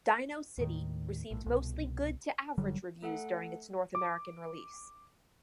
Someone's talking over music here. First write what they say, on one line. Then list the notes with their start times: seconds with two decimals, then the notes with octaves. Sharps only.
"DinoCity" received mostly good to average reviews during its North American release.
0.58 D#2 A2 D#3
1.31 A#1 A2
1.46 C2 B2
2.58 F#1 D3 F#3 G3
3.02 A3 A4 F#5
3.95 D6